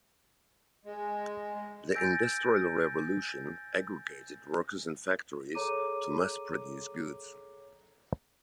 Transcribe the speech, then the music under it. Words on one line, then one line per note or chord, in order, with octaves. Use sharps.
The industrial revolution aggregated workers in factories, to mass-produce goods.
G#3
G#5 E6 G6 A6 A#6 D7
G#4 A4 C#5 A#5 D6 D#7